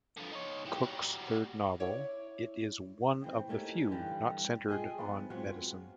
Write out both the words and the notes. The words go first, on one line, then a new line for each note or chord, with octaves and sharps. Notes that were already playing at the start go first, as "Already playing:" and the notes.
Cook's third novel, it is one of the few not centered on medicine.
D3 F3
D#4 C#5
E3 G4
G3 F#4
E4 C#5 D5
D#2 E3 C4
A3 A#3 C#4 D#4 E4 G4
G2 D3 E3 G3
F4 G#4 A#4 D#5 G5 G#5
F3 B3
F#3 G#3 B3 C4 F4 F#4